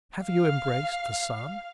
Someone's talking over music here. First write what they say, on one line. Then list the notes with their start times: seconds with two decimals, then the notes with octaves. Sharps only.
Have you embraced the Son?
0.24 F5
1.37 F5